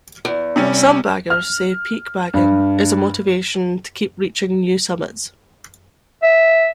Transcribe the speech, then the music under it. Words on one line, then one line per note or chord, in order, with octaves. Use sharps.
Some baggers say peak bagging is a motivation to keep reaching new summits.
E2
C3 G3 C#4
F6
G2
E5